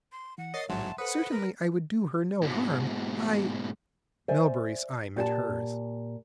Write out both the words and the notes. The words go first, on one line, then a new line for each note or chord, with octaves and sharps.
"Certainly I would do her no harm--I--" Melbury's eye met hers.
C6
E3 F#5
A#4 C#5 D#5 A6 C7
A1 G#2 F#3 E5 F#5 A5 C6
A4 B4 C5 F#5 D#6
A#4
G#2 B2
C5 D5 E5 G#5
A#2 G4 G#4 A5